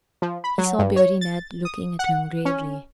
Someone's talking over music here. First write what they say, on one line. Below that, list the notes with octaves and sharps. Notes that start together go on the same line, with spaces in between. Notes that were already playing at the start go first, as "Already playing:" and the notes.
He saw Beardy Ned looking at him gravely.
F3
B5
F#3
G2
C#5
A6
D#6
F#5
C#4